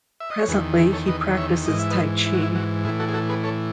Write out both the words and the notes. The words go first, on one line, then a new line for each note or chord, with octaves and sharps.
Presently, he practices Taichi.
E5
D#5
C#5
E2 D#3 G#4 B4
E4 G#4
A4 C#5
B4 D#5
C#5 E5
G#2 E3 D#5
E5
B4 D#5
E4
F#4
E4
F#4
A2 E3 E4 G#4
F#4 A4
G#4
F#4 A4
G#4 B4
A4 C#5